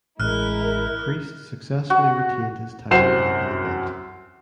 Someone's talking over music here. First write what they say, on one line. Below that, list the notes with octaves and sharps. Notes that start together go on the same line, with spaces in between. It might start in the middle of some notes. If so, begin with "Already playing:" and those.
Priest successfully retained his title at the event.
A1 G#3 E4 A#4 F6 F#6
F#4
C2 F#2 C5 F#5 C7 E7